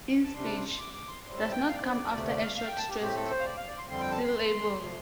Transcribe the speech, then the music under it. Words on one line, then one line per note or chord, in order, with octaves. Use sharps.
In speech, does not come after a short stressed syllable.
A5
C3 G3 D4 C6
A5
C6
C6
D6
D6
C6
A2 G3 C4 C6
A5
G5
F5
D5
C5
D5
D2 C3 A3 D5
D5
F5
F5
G5
A5
G4
A2 A3 C4 G4
A4
C5
F5
D5
F5
D5
C6
F2 D3 G3 C4 C6
G5
A5
C6
C3 F3 A3